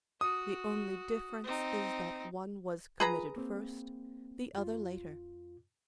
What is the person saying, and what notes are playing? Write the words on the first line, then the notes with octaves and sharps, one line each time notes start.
The only difference is that one was committed first, the other later.
F#4 D#6
C4 D#4
F4 G#4 B4 A#5
A#3 C4
F2 F4